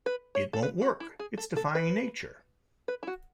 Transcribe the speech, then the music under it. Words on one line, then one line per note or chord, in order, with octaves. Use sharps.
It won't work, it's defying nature!
B4
C#5
A4
B4
F#4
E4
G#4
A4
A4
B4
B4
E4
F#4